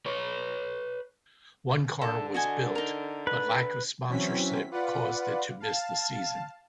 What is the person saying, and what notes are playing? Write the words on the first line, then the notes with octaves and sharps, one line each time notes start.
One car was built, but lack of sponsorship caused it to miss the season.
B4 C#5
D3 A4
F#4 D#5 G#5
D#4 A#4
B4
E3 F#3 C4 C#4 B6
F4 B4 D5 F#5
F5 A5